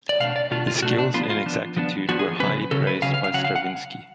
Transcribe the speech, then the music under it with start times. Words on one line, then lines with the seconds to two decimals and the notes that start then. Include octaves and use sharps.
His skills and exactitude were highly praised by Stravinsky.
0.09 D5
0.20 B2 A3 D4 F5
0.36 D5
0.51 B2 A3 D4 F4
0.67 F4
0.82 B2 A3 D4 F#4
0.99 D4
1.14 F3 B3 D4 F4
1.30 F4
1.46 F3 B3 D4
1.76 F3 B3 D4
2.09 F3 B3 D4 F#4
2.19 G#4
2.40 C#3 F#3 C#4 B4
2.71 C#3 F#3 C#4 A4
2.87 B4
3.02 C#3 F#3 C#4 F5
3.14 F5
3.24 F5
3.34 C#3 F#3 C#4 F#5
3.45 F5
3.56 F#5